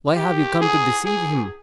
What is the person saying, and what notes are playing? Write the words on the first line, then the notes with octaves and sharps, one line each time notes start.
Why have you come to deceive him?
G4
G#4
G#4